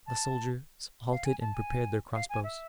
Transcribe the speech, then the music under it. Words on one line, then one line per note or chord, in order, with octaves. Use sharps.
The soldiers halted and prepared their crossbows.
A5
F5
G#5
A5
G#5
F5
G#5
E5